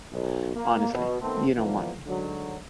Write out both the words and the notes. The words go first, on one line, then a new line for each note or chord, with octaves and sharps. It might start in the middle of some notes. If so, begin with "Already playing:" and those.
Honestly, you don't want me.
B1
A#3
B2
D#3 A3 B3 C4 A4
D3 E3 F3 A#3 B3 D4
D2 G#2 D3 F#3